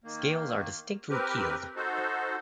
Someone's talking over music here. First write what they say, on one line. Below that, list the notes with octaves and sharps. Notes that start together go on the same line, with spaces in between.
Scales are distinctly keeled.
D#3 A#3
C4 G4 A#4 B4
D#4 F#4 A4 C5